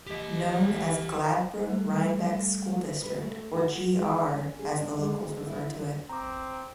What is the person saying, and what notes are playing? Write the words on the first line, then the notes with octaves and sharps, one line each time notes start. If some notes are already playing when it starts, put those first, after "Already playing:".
Known as Gladbrook-Reinbeck school district or "G-R" as the locals refer to it.
G4 D#5
G3 A3 A4
B4
A3
F#4
G#3
C#4
G#4
D4
G#3
E4
C4 A#5 D6